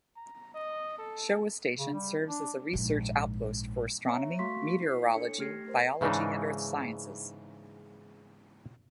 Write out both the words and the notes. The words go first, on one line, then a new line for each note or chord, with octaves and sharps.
Showa Station serves as a research outpost for astronomy, meteorology, biology and earth sciences.
A#5
D#5
A4
C#3
G3
D4
A#1 G#2
C#5 E5 A#5
A3 F#4 F5 C6 C#6 B6
E4 C5 B6 C7
D4 A4 C#5 C#7
A3 G4 F6 G#6 A#6 C7
A#4 C5
G#2 C#3 E3 D4 D#4